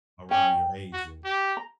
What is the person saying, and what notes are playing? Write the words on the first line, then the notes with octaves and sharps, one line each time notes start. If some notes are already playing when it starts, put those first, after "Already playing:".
around your age and
C#4 G5
F#4
G4
A#5